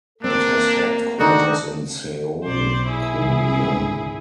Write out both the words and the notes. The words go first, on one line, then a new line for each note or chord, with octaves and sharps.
It has headquarters in Seoul, Korea.
A#3 C4 D4
D#3 D4 D#4 F#4 A4
B1 C5 D5
E4 G#4
C2
G#1 C#2 D3